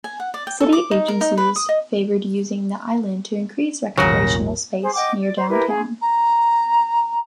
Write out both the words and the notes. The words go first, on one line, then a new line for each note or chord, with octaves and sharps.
City agencies favored using the island to increase recreational space near Downtown.
G#5
F#5
D5
G5
A4
D6
D#4
A#4
D#4
B4
D#6
D#5
G#1 D#2 A#2 C#3 F#3 F#4 A#4 A#6
G#4 C5
D#5 F#5 G5 D6
D5
C5
E4 G4 A#4 B4
G#4
A#5